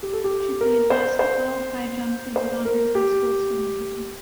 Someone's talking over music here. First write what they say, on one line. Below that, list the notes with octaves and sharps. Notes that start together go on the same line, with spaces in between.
She played basketball, high-jumped and was on her high school swim team.
G4
A4
G4
A#4
C5
C5
C5
A#4
G4